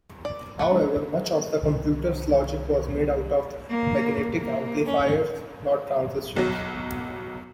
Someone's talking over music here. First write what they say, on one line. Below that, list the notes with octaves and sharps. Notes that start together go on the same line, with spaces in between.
However, much of the computer's logic was made out of magnetic amplifiers, not transistors.
D5
A3 F#5 B5
F3 G#3 D4
C2 D#3 E3
A#3
A#3
C#4
B1 F#3